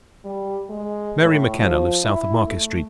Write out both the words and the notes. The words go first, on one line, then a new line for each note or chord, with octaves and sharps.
Mary McKenna lives south of Market Street.
G3
G#3
A2
F3
E4
A3